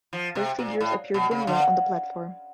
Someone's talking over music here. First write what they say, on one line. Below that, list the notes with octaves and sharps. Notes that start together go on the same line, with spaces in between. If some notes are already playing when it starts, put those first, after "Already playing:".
Their figures appeared dimly on the platform.
F3
C3
A#2
A2
B2
C#3
D3